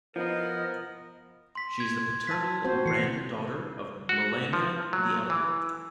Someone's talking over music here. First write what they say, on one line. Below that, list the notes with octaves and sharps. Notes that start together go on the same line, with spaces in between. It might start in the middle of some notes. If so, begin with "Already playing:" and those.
She is the paternal granddaughter of Melania the Elder.
F3 B3 A#4 D#5
C6 B6
G#6
A5 B6
C4 F#4 C5
E3 C7 C#7
F#4
F3
F#3
E3